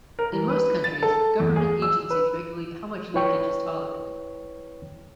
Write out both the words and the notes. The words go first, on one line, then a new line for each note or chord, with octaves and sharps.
In most countries, government agencies regulate how much leakage is tolerated.
A#4
E3
B4
A6
A4
E2
G#4
E6
B4
E4 B4 C#5 G5 C#6